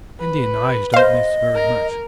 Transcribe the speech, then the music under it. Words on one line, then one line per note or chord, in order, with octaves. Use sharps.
Indian eyes don't miss very much.
B4
C5 D#5 F5
A#4